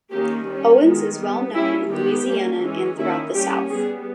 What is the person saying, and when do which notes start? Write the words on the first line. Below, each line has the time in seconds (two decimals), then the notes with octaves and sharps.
Owens is well known in Louisiana and throughout the South.
0.11 D#3 A#3 C#4 G4
0.46 G3 C#4
0.82 D#3 G#3 B3
1.19 G3 B3
1.55 G3 A#3 C#4 E4
1.91 D#3 G#3 B3 G4
2.27 G3 A#3 C#4
2.63 E3 G#3 C#4
2.99 D#3 A#3 C#4 E4
3.35 G3 A#3 C#4 G4
3.71 G3 B3 G#4